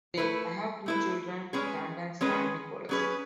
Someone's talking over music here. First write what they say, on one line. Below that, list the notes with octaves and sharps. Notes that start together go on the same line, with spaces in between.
They have two children: Candace and Nicholas.
A3 E4 B4
A3 E4 B4
G#3 C#4 G#4 B4
G#3 C#4 G#4 B4
F#3 C#4 G#4 B4